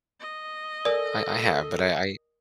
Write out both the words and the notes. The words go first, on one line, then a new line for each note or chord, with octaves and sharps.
I I have, but I
D#5
A4 A#4 D5 G#5 D#6